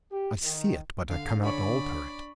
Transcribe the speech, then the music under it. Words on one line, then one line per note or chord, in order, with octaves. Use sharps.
I see it, but I cannot alter it.
G4
D#3
D3 F5
D4 C#5 D5 G#5 B5